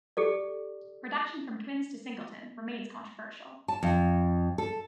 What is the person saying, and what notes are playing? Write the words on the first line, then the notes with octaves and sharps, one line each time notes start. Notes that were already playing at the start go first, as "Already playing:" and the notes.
Reduction from twins to singleton remains controversial.
G4 A4 D5
A5
F2
A4